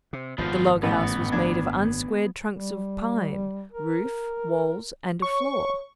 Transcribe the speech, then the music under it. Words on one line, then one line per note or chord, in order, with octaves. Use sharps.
The log-house was made of unsquared trunks of pine--roof, walls, and floor.
C3
G#1 F#2 B2 F3 B3 F4 C5
A1 B3
D2 D4 G#6
G3
A#4
C#5 C#6